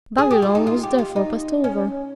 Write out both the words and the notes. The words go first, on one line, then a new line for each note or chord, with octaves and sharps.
Barillon was therefore passed over.
G#4
G4
F4
D#4
F4
G4
F4
D#4
C#4